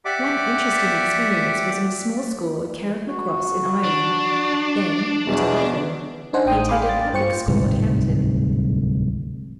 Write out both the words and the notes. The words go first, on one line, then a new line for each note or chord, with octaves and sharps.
One interesting experience was in a small school at Carrickmacross in Ireland; then, at eleven, he attended public school at Hampton.
G4 D5 E5 F#5 D6
F#4
D4
E2 B2
D4 D#4 C5 F#5 G#5
A1 D4 G5 D#6
G#4 F5 G#5 B5 C6 D6
A6
G2 F4 C5 G5 C#6 C#7
D1 C2 G#2